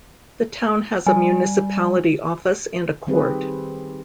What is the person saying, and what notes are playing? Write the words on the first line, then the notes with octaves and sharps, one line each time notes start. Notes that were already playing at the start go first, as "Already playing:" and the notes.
The town has a municipality office and a court.
G3 G#5
D#3 G3 C4 G4 G#4 B4